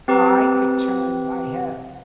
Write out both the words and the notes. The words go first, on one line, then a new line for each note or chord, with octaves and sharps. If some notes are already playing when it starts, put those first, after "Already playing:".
I could turn my head.
C4 G4 B4